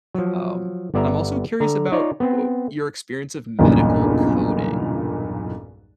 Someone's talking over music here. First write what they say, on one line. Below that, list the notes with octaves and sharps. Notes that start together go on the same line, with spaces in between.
Um, I'm also curious about wh your experience of medical coding.
F3 F#3
G1 B3 D5 E5 A#5
D3 A#5
D#4 F4 C#5 D5
B3 C4
B1 E2 G2 A#2 C#3